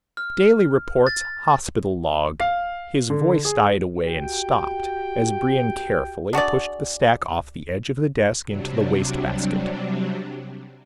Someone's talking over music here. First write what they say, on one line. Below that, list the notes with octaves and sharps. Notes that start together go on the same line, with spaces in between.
"Daily reports, hospital log...." His voice died away and stopped as Brion carefully pushed the stack off the edge of the desk into the wastebasket.
F6
A6
F5
D3
G#4
F#4 G4 G5
D4 F#4 G#4 D5
C3 F#3 G3 D4